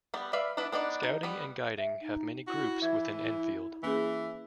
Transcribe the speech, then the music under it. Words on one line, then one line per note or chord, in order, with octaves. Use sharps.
Scouting and Guiding have many groups within Enfield.
G3 B3
B4 D5 E5 F5
B3 D4 E4 B4
B3 D4 D#4 D5
D#4
G3 B3
E5
D#4
E4 F#4
E3 E5 G#6
E3 A#3 C#4 G#4